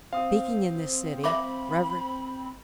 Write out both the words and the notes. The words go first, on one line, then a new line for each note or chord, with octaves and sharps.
Speaking in this city, Rev.
C4 F5 D#6
E5 B5 D6